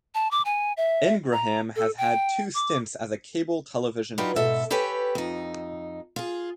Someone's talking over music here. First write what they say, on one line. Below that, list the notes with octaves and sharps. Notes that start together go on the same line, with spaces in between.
Ingraham has had two stints as a cable television host.
A5
D6
G#5
E5
A#5
A4
G5
D6
F#3 D4 D#4 F4 G4 B4
G#2 B2 A4 E5
G4 A4 B4 C#5 G5 G#5
F2 D#4
F4 G#4